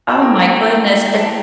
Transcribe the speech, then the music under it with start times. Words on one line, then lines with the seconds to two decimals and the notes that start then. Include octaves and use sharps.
oh my goodness, i
0.11 A5
0.22 A#3 E4 A4 G5 A#5
1.20 A5
1.26 A3 G5 A#5